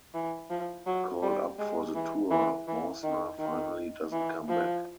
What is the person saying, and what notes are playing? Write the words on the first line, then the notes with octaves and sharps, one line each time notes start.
Called up for the tour, Mausna finally doesn't come back.
E3
F3
F#3
G3
G#3
E3
E3
E3
D#3
D#3
E3
F3